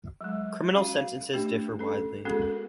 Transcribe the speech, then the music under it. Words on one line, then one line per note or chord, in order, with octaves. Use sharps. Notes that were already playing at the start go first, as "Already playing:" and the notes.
Criminal sentences differ widely.
F#3 G#3
C#4 F#4 F5
A3 D4 G4
C#4 A4
G#3 B3 C#4 F#4 G#4 A4
A#4